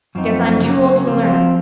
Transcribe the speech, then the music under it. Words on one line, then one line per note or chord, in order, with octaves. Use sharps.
Guess I'm too old to learn.
F#2 F3 C4 D#4
C#3 F#3 A#3
F3 C4 F4